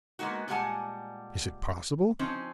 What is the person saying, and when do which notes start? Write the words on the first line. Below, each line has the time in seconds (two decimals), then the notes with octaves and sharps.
"Is it possible?"
0.19 G#3 A#3 B3 D#4 F#4
0.48 A#2 G3 G#3 F#5 G#5 A5
2.19 F3 C4 C#4 D#4